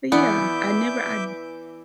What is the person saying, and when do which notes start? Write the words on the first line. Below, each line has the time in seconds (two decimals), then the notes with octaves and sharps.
But, yeah, I never I
0.12 E3 B3 E4 D5 E5 G#5 D6 G6